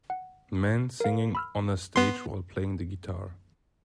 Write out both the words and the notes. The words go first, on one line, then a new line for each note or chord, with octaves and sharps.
Man singing on a stage while playing the guitar.
F#5
A#4 F5
B5 E6 F6
B3 C6